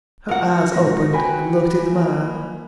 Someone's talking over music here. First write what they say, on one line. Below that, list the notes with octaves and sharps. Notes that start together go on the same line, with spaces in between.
Her eyes opened and looked into mine.
F4 F#4 A#4 F#5
G#2 B4 A#6
B4 G5 G#5
A#3